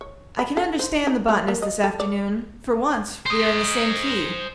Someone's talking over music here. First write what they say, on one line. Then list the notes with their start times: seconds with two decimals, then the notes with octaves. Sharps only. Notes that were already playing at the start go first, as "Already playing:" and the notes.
I can understand the botanist this afternoon; for once we are in the same key.
0.01 C#5
0.39 B5
0.57 A4
0.79 C5
1.07 D#4
1.29 A3
1.48 A#3
1.62 D#5
1.84 A4
2.00 D5
3.26 C5 D#5